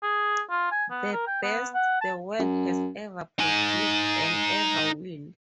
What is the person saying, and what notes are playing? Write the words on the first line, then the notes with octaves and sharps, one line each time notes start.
The best the world has ever produced and ever will!
G#4
F4
G#5
B3
A#4
G5
B3
F#5
A5
F#2
D#4 G#5